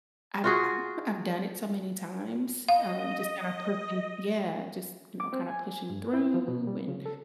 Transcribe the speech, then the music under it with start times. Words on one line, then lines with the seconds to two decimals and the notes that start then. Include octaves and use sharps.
I've I'm I've done it so many times, um, just kinda pushing Yeah, just, you know, kinda pushing through and
0.44 F4 F#4 G#4
2.69 D#5 F5
5.20 D6
5.33 C4
5.48 G#5
5.90 G2
6.13 E4
6.34 F3
6.48 B2
6.67 G3
6.88 C#3
7.06 A4